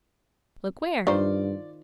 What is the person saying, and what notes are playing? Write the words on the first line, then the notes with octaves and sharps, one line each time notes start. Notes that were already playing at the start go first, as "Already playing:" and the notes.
"Look where?"
G2 D#3 F4 C5 D5